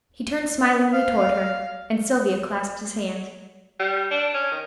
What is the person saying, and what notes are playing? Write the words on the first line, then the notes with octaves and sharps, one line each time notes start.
He turned smilingly toward her, and Sylvia clasped his hand.
F5
G3
D4
C#4
D#3